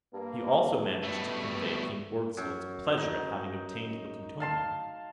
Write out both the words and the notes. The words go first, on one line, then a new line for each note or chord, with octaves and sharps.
He also managed to convey King Orgzild's pleasure at having obtained the plutonium.
G2 A#3
B2 G3 A3
F#2
D#4
F5 A5 C6